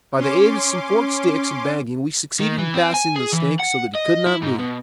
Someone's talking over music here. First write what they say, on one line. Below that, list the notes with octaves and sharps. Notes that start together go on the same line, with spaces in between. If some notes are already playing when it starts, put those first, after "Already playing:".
By the aid of some forked sticks and bagging we succeeded in fastening the snake so that he could not move.
C#4 C6 D6
D#3
E3
C4
G#5
G#4
E3
F#5
D#5
E4
G#2
B2